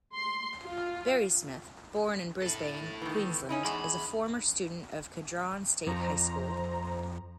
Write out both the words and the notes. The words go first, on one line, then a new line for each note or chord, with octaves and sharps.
Barry-Smith, born in Brisbane, Queensland, is a former student of Kedron State High School.
C6
F4
E4 A4
D#3 E3
C#4 D#4 E4
E2 G#3 A5 B5
F2 C5 A#5